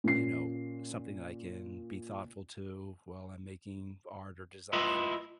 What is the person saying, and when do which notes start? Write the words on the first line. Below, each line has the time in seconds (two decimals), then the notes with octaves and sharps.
you know, something that I can be thoughtful to while I'm making art or design
0.04 A#2 C#4 C7
4.73 E4 F4 B4 D#5 E5